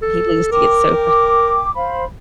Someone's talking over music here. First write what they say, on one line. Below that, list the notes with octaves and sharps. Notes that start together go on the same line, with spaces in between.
People used to get so frust
A4
A#4 G5 D6
C5 F5 B5